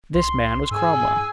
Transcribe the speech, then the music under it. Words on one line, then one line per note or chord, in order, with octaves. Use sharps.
This man was Cromwell.
C2 C6
G#2 G#4 G#5 E6